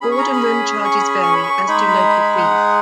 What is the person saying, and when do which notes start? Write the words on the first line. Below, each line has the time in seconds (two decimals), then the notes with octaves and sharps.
Board and room charges vary, as do local fees.
0.01 C#4 G#4 B5
0.12 C#6
0.19 A#5
0.22 B5
0.33 B5
0.85 C#6
0.98 B5
1.23 C#6
1.34 B5
1.43 C#6
1.68 G#3 D#4 G#4 B5
1.88 B5
2.09 B5
2.22 B5
2.37 F#5